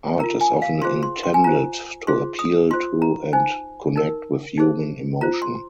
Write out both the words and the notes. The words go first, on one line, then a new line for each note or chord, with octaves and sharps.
Art is often intended to appeal to and connect with human emotion.
F4 A#4 A#5
G#5
F5
F4 G#4 C5 C6
C6
C6
G#5
F4 C5 A#5
F4 G#4 C5 C6
D#6
F4 C5 C6
A#5
D#4 C5 G#5
D#4 A#4
D#4 G#4 C5
F4 C5 A#5
C6